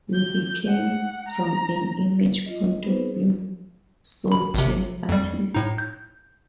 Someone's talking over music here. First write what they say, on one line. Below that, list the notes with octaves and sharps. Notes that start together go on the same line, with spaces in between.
We became, from an image point of view, soul jazz artists.
G6
F#5
A#5
F4 D#5
B3 C4 D#4 G#4 B4 C5
B5
G#1 C3
F2 G3
A2 D#4
G6